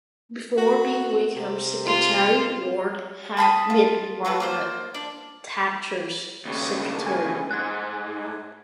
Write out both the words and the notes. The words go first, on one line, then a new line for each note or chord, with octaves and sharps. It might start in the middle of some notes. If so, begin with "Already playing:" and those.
Before being Wakeham's secretary, Ward had been Margaret Thatcher's secretary.
F#4
C3
F4
A5 B5 C6 D#6
F4
F4 F#4 A4 B4
A#3 F4 C5
D4 D5
D#2 C#3
G#5
G#2 F#6 G#6